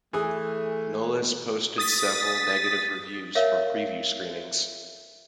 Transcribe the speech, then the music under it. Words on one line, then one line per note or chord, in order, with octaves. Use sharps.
Knowles posted several negative reviews from preview screenings.
E3 A3 G#4
D#6 A6 B6
A#4 C#5 E5 F5